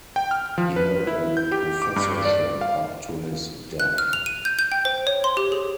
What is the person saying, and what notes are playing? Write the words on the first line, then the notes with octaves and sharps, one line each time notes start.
He held a professorship up to his death.
G5
F6
F3
B4
E4
G6
G4
D6
G2
D5
F5
F#6
F6
F7
D#7
G6
G6
G5
C5
C#5
C6
G4
G#4